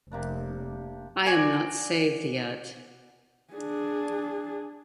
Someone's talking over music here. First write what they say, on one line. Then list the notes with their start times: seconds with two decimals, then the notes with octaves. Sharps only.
I am not saved yet.
0.11 F1 C3 A#3 D4
1.26 F#4 D5 G#5
3.54 D4 G#4